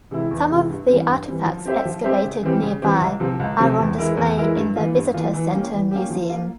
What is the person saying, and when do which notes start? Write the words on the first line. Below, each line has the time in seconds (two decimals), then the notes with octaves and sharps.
Some of the artifacts excavated nearby are on display in the visitor center museum.
0.11 C3 E3 G#3 E4
0.31 E2
0.50 C3 E3 G#3 E4
0.70 G2
0.88 E3 G3 C4
1.07 G2
1.27 E3 G3 C4
1.46 F3
1.65 C4 G4 C5 E5
1.85 F3
2.04 C4 G4 C5 E5
2.24 C#3
2.43 E3 G3 C4 G4
2.63 C#3
2.82 E3 G3 C4 G4
3.01 C#2
3.20 C3 F3 C4
3.40 C#2
3.59 C3 F3 C4
3.79 E2
3.98 E3 G#3 E4 A#4
4.17 E2
4.37 E3 G#3 E4 A#4
4.56 G2
4.76 E3 A#3 F4
4.95 G2
5.14 E3 A#3 F4
5.34 E3
5.52 A#3 C#4 G4
5.73 E3
5.91 A#3 C#4 G4
6.10 F3
6.29 A#3 F4